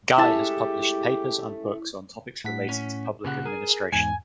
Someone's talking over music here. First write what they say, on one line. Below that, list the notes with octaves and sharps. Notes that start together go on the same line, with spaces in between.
Guy has published papers and books on topics related to public administration.
G#3 A3 C#4 E4 G4 E5 A5
A2 F#5 B6
C#4
A#2 C#3 G4 F#5
G#4 A#4
E2 G#2 G#5